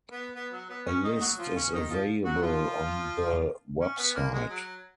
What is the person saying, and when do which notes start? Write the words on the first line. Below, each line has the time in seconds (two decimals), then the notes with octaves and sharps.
A list is available on the website.
0.11 B3
0.35 B3
0.52 F#3
0.69 B3
0.86 C#4
1.04 D#3 D#4
1.21 F#3 F#4
1.38 F3 F4
1.56 C#4
1.73 D#3 D#4
1.90 F3 F4
2.25 F#3 F#4
2.42 F3 F4
3.81 C#4
3.98 B3
4.15 A#3
4.32 G#3
4.50 F#3